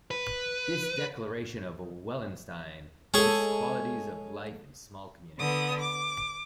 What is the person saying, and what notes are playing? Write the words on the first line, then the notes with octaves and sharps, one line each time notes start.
This "Declaration of Wellenstein" lists qualities of life in small communities.
B4
G#3 C#4 G#4 A4
D3 B3 D#6
D6